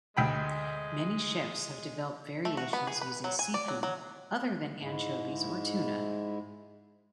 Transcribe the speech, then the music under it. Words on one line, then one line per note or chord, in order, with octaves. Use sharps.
Many chefs have developed variations using seafood other than anchovies or tuna.
D2 G#3 G5 B5
A3
F#4
B3
G#4
B4
F#3
G#5
D5
F#3
F#3
G#2 G#3 E4